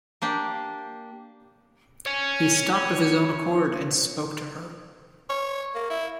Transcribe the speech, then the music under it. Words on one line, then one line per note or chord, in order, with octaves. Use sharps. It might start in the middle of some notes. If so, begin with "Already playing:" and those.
He stopped of his own accord and spoke to her.
A#3 D4 G4
C#5 G#5
C#5
A#3
E4